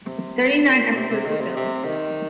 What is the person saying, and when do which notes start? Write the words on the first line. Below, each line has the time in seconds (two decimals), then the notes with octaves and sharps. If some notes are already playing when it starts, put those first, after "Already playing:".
Thirty-nine episodes were filmed.
0.06 C3
0.66 A#2
0.91 A#2
0.96 C3
1.11 C3
1.26 D#3
1.41 C3
1.56 C3
1.85 D#3